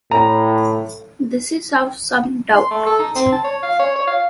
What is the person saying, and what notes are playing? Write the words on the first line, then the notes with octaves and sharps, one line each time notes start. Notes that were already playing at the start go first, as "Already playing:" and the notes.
This is of some doubt.
A2 A#5
C6
A3
A4
D#4
C4
A5
C#5
F5
C#5
C#5
F5